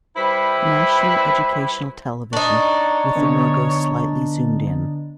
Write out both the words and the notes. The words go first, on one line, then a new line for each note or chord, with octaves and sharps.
National Educational Television with the logo slightly zoomed in.
G3 E4 B4 C5
D4 D#4 C#5
D3 B3